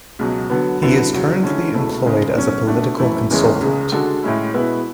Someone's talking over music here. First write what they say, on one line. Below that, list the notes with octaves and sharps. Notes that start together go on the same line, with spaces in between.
He is currently employed as a political consultant.
C#2 B2 F#3
D3 F#3 B3
D3 F#3 B3 E4
E2 C#3 F#3
D3 G#3 C#4 E4
C#2 B2 A3 E4 A4
C#2 C#3 G#3
B2 F#3 C#4
B2 A3 D4
F#2 E3 A3 E4
E2 C#3 E3 G#3 C#4
C#2 C#3 G#3
D3 G#3 D4 F#4 A4
A2 G#3 C#4 E4
B2 G#3 B3 E4 B4